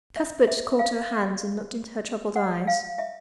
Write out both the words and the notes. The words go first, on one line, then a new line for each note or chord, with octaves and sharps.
Cuthbert caught her hands and looked into her troubled eyes.
E5
E5
F5
F#5
F5
E5